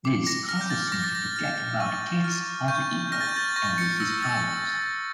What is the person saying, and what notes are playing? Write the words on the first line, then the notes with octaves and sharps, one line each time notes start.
This causes him to forget about Kate's alter-ego and lose his powers.
D6
A#6
F6 A#6
G6
A6
D6 A#6
A6
A#6
F6
C#6 A6
F6
C#6 G6
F6 A#6
A6
G6
A6
C#6 A#6
C#7
E6 A#6
A6